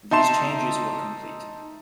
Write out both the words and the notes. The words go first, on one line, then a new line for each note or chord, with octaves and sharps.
These changes were complete.
D#4 E5 A5 C6 E7